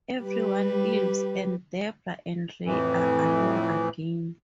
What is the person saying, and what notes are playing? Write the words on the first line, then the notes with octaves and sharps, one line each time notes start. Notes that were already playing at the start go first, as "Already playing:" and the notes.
Everyone leaves and Debra and Ray are alone again.
G3 G4 B4
F2 A2 E3